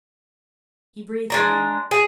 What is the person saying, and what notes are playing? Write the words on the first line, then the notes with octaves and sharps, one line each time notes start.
He breathed again.
G#3 D4 A#5
G#4